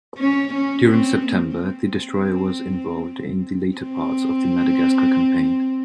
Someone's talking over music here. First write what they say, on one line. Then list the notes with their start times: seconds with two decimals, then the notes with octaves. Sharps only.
During September, the destroyer was involved in the later parts of the Madagascar Campaign.
0.18 C#4
0.54 C#4
0.90 C4
1.27 A#3
1.62 C4
3.78 C4